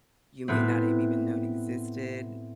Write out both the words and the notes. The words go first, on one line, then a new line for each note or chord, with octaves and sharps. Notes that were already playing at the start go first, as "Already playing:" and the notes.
you may not have even known existed
A2 B3 C4